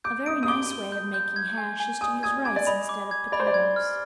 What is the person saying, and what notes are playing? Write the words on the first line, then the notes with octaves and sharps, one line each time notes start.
A very nice way of making hash is to use rice instead of potatoes.
D6 G6
D#6 D7
D#6
D6 G7
G7
G6
G6
G#6
G#5
G#5
G#5 D#6
D#6 G#6
D6 G#6
D5
D#5 B5
D6
G#6
D5 B5
C5
D5
G#6
F6